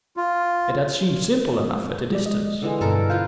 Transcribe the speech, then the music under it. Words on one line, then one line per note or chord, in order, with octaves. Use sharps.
It had seemed simple enough at a distance.
F4
G#3 D5
D#5
D3 E3 G#3
G2 B2 A4 A#4
F4 B4 C5 F5